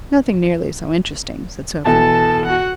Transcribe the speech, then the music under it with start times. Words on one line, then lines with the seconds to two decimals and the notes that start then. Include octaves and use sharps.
"Nothing nearly so interesting," said Sophy.
1.86 B2 E3 A4 A5
2.46 F#4 F#5